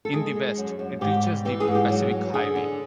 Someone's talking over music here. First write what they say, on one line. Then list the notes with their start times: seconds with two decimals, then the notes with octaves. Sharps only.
In the west it reaches the Pacific Highway.
0.05 A4
0.13 G#3 G#4
0.36 G#3
0.57 F#2
0.79 F#2
1.01 G#2 G4
1.23 G3
1.45 E3 G4
1.60 G#4
1.68 G#2
1.75 G4
1.89 F#3 G#4
2.11 F#3
2.34 D3 G#4
2.55 D3